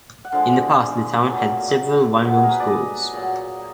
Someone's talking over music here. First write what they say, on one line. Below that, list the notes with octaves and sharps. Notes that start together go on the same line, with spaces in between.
In the past, the town had seven one-room schools.
F#5
D3 F3 G#3 F5
A#2 F#3 F5
B2 F#3
G#4
A#4
B4
D5
D#5
A#2 F#3